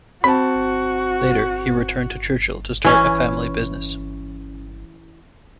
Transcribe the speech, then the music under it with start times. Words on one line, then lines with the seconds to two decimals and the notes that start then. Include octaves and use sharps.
Later, he returned to Churchill to start a family business.
0.24 C4 F#4 A5 B5
2.85 E3 C#4